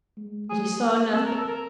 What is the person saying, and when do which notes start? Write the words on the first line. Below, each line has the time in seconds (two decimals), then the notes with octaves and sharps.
But he saw nothing.
0.17 G#3
0.48 A3 G#4
0.81 A#3
1.13 C4 A4
1.25 A#4
1.36 A4
1.48 A#4